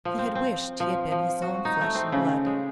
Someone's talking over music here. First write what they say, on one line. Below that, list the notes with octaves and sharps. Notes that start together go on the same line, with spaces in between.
He had wished he had been his own flesh and blood.
F3
C4
C4
F3
F3
F#4
D#4
A3
C4
C#3
G#3